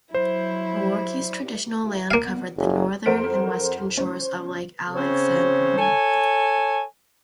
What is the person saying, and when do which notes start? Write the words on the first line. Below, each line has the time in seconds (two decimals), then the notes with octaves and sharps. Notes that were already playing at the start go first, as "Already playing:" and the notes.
The Warki's traditional land covered the northern and western shores of Lake Alexandrina.
0.14 F#3 E4 C5
2.11 A#3 F5
2.57 F#1
3.06 F2 A#4 C5 F#5 F6 D7
3.97 C#4 C5
4.95 C#3 C4 G#4 C5 C#5
5.78 A4 C#5 G#5